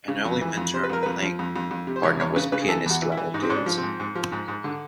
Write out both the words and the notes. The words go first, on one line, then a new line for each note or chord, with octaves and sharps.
An early mentor and playing partner was pianist Lowell Davidson.
C#3
F2
E3
F2
C3 C5
B4
F2 A#4
F2 B4
F3
F2
F2
F2
C3
C5
E2 C#5
E2 C#5
C#3 B4
C#3 B4
G#4
E3 A4
E2 F#4
E3
E4
E3
G#2 D#4
C4
G#2 C#4
D4
F3
C4
G#2
G#2
F3
G#2
G#2
D3